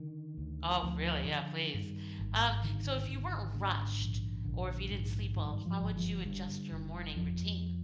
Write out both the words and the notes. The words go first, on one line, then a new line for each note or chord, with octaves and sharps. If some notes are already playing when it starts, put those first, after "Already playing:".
Oh, really? Yeah, please. Um, so if you weren't rushed or if you didn't sleep well, how would you adjust your morning routine?
Already playing: D3 D#3
D2
D2 F3
D3
G2 D#3
G#1
D3 D#3
G#1
G#2 D3
A#1
A#1 D3
G#2
G2 D#3
F3
G1
F3
D3 G3
G1
F2 F3